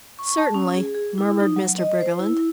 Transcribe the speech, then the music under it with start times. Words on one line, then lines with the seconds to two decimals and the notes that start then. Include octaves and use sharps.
"Certainly," murmured Mr. Briggerland.
0.19 C#6
0.38 A5
0.54 C#4
0.76 G#4
0.95 G#4
1.18 E4
1.40 D#4
1.56 F#3
1.78 D#5
2.01 C5
2.19 E4
2.37 E4